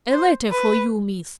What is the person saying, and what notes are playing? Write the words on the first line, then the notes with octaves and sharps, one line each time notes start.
A letter for you, Miss.
C5
B4